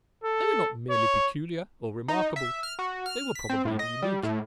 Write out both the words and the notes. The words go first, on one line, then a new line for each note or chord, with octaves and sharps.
They were not merely peculiar or remarkable; they were probably unique.
A4
C#5
D#4
E5
F6
F#4
F6
B6
C4
A2
D#5
G3
A2